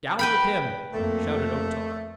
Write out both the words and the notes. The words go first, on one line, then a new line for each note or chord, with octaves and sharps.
"Down with him!" shouted O-Tar.
B4 G5 B5
F2 A3 A#3